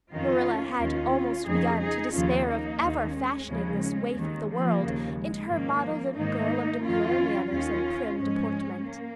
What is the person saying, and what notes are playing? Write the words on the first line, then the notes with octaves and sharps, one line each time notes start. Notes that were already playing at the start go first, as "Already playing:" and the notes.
Marilla had almost begun to despair of ever fashioning this waif of the world into her model little girl of demure manners and prim deportment.
F2 D#3 C#4 F4
D#2 D#3 C#4 F4
F2 C#3 F3 D#4 G#4
D#4 G#4
D#2 C#3 F3 C#4 F4
A#3 D#4
D#2 D#3
G#3 C#4
D#2 C#3 F3
D#2 D#3
F3 A#3
D#2 C#3 F3
G#3
G#2 D#3 F3 A#3
G#2 D#3 A#3 D#4
F2 D#3 C#4 F4
D#2 D#3 C#4 F4
G#2 F3 G#3 C#4
A#3